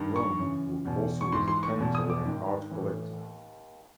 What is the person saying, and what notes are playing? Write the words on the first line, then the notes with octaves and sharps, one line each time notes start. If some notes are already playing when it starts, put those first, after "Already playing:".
Rome also was a painter and art collector.
Already playing: G2 D#3
C#6
F#2 C#3 E3
E2 B2
C#6
G#2 E3 C6
C6
C#6
E2 B2
D#6
D6
G#2 D#3
A2 E3